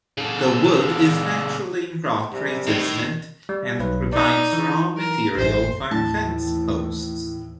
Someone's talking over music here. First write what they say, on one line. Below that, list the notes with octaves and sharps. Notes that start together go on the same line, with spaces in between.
The wood is naturally rot resistant and provides raw material for fence posts.
C#3 A4
F#2 C3 G3
A2 D#3
G3
B1 B4
D#4 D5
E3
A#4
A1 F#2 C5
D#2 A2 E3 A5